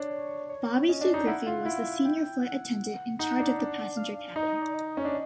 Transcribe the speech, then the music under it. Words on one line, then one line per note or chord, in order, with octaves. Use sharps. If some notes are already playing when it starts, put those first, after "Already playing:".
Bobbi Sue Griffey was the Senior Flight Attendant in charge of the passenger cabin.
Already playing: D4 C#5
C#5
C#4 D#5
D4
D#4
E4 F#5
F4
E4
G5
F#5
D#4 F#5
D4
D4
F5
D#4 D#5
D#5
D5
D#5
C#4
D4